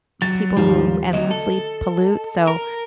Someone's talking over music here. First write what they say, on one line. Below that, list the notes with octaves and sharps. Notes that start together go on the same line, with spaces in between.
people who endlessly pollute, so
F#3 A6
D#2 G#2 F3 G3
D2 F#3 D#5
A4
A#4